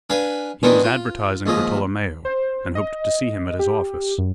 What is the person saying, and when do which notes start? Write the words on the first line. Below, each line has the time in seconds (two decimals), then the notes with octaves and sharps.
He was advertising for Tolomeo, and hoped to see him at his office.
0.10 D4 B4 F5 G#5
0.63 D#3 E3 B3 C4 D4 D#4
0.84 F4
1.46 D#2 G#2 F3 D#5
2.25 C5
2.75 D#5
3.59 G4
4.18 F#2